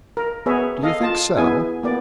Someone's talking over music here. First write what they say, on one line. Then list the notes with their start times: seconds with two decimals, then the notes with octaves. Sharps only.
"Do you think so?"
0.17 A#4
0.46 B3 G#4 B4 C#5 E5
0.82 A4 D#5 F5
1.01 F4 A5
1.37 B3 E4 G#4 G#5
1.83 A#3 B3 D5